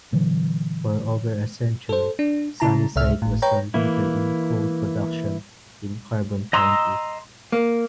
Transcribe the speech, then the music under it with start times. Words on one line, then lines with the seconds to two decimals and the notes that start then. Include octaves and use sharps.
For over a century, Sunnyside was the leader in coal production in Carbon County.
0.12 A#2 D3 E3 F#3
1.89 A4 C5
2.19 D4
2.60 C#3 E4 A5 A#5
2.96 C#2 C3 E5 F6
3.22 G#1 A2
3.42 B4 C#5 G5 A#5
3.74 E3 A#3 E4
6.53 D#5 A#5 C6 D#6 E6
7.52 A#3